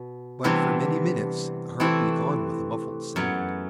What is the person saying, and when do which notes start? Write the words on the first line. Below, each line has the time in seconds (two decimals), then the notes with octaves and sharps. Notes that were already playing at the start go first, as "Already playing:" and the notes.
But, for many minutes, the heart beat on with a muffled sound.
Already playing: B2
0.44 C3 E3 G3 B3 D4
1.80 E3 A3 C4 E4
3.16 F#2 F#3 B3